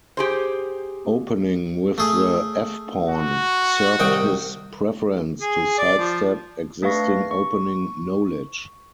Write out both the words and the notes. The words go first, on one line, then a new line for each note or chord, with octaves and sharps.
Opening with the f-pawn served his preference to sidestep existing opening knowledge.
G4 G#4 C5
A3 G#4
F#4
C2 D#3 G5
G#4
D5
F3
A3 D4 B4 F5 C#6 A#6
C#6